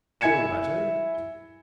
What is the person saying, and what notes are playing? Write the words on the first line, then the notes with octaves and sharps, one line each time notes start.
Feel better.
E4 E5 G#5 G#6 C#7 E7